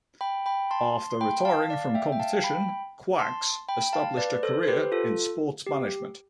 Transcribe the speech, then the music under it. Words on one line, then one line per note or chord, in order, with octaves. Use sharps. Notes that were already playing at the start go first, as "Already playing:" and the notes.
After retiring from competition, Quax established a career in sports management.
G5 B5
G5 B5
A5 C6
C6
G5 B5
F5 A5
D5 F5
E5 G5
G5
F5 A5
G5 B5
A5 C6
G5 B5
F5 A5
B4 D5
A4 C5
C5
G4 B4
F4 A4
G4